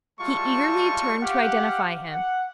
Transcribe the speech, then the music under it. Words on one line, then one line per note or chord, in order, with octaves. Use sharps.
He eagerly turned to identify him.
G3 G#3 E4 F4 A5 C#6
G4 F5 F#5
F#5